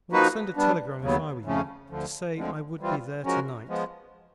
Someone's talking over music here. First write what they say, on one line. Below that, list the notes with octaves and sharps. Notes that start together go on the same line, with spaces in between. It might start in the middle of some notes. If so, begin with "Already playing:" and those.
"I would send a telegram if I were you, to say I would be there to-night."
F3 A#3 D#4 F#4 B4
G3 B3 D4
D#2 C#3 F#3 B3
F2 C#3 F3 A3 C#4
D2 D3 F3
D2 D3 F3 G#3 C4
E3 G3 C4 F4
F3 G#3 C#4 F#4 A#4
F3 G#3 B3